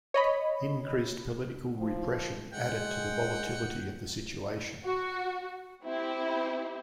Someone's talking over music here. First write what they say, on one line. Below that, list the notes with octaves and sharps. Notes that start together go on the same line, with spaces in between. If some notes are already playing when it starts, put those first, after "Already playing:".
Increased political repression added to the volatility of the situation.
C#5 D#5 B5
F3
G#3 F#5 G5
F#4
C4 E4 G4